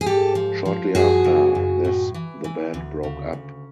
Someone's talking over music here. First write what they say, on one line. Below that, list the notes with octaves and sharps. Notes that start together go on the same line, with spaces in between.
Shortly after this the band broke up.
G#4
G#2 G4 A4
F3
F3
F#2 F#4 G#4
C#3
F#2
A2
E3
E3
D2
C#3
D2